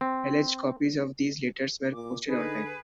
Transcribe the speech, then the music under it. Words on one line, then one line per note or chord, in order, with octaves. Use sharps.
Alleged copies of these letters were posted online.
C4
A#2 D6
D3 D#4 G#4 B4